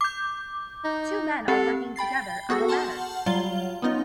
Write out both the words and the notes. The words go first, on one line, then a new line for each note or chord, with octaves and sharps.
Two men are working together on a ladder.
D6 G6
D#4
C4 G4 A4 F#5
G5 B5 A6 C7
B3 F#4 G#4 A4
F#5 A5 C6 F6 G6
F#3 G3 F4 F5 G7
B3 C#4 D#4 F4 D#5